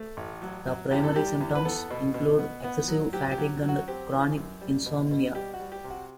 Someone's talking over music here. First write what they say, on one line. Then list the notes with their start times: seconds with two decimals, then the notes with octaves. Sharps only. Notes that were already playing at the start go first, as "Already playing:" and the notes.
The primary symptoms include excessive fatigue and chronic insomnia.
Already playing: A3
0.17 A1
0.42 F#3
0.67 F#3
0.91 E2 G4
1.04 A4
1.16 G3 G4
1.41 E2
1.55 B4
1.65 B3 A4
1.90 B2
2.14 B2
2.39 B3
2.64 B3
2.88 F#3
3.13 F#3 G4
3.31 G4
3.38 F#3
3.62 F#3
3.69 F#4
3.88 C4 G4
4.12 E3
4.37 F#2
4.61 G3
4.86 B2
5.11 B2
5.35 G3 G4
5.54 F#4
5.60 G3
5.72 G4
5.84 C3
5.90 F#4